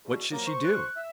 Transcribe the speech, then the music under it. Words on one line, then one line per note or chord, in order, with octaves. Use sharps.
What should she do?
E2 B2
F3 F#3 A#3 A#4
C5 C#6
F#6
E5